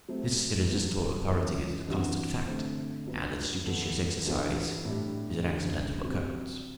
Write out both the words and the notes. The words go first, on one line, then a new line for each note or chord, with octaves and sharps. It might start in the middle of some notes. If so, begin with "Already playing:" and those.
This irresistible authority is a constant fact, and its judicious exercise is an accidental occurrence.
F#3 A3 C4 G4
E2 B2 F#3 B3
F#2 E3 G3
G2 E3 G3 C4 F#4
D3 A3 C4
G2 F#3 B3
E3 B3 F#4 A4
G2 E3 B3 F#4 A4
A2 G3 D4 G4
F#2 D3 G3
F#3 C4 G4